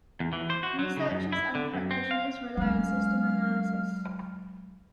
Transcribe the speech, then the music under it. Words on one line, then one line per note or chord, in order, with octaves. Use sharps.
Researchers and practitioners rely on system analysis.
E2
E3
C5
F#4
F#3
C#3
F#2
E4
D3
F#2
C4
F5
F#3 G#3 C#4 F5 F6